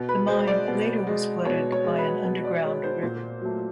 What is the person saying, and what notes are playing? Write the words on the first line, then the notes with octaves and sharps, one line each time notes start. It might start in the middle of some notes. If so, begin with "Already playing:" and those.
The mine later was flooded by an underground river.
Already playing: B2
B4
G#3 C5
D5
B2
G#3
B2 C#5
C#5
G#3
B4
B2
D5
G#3 C#5
C5
A#2
F#3 A3